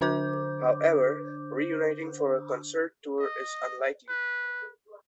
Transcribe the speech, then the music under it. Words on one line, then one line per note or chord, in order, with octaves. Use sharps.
However, reuniting for a concert tour is unlikely.
D3 D4 C5 D6 G6
D#5
B4